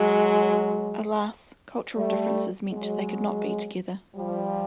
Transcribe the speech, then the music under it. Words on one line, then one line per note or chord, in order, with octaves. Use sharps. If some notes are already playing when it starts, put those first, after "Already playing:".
Alas, cultural differences meant they could not be together.
Already playing: F#3 G#3
G3 A3
F#3 G#3
F3 G3